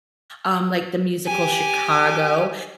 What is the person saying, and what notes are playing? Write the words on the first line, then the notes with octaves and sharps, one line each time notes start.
Um, like the musical Chicago,
G4 G#5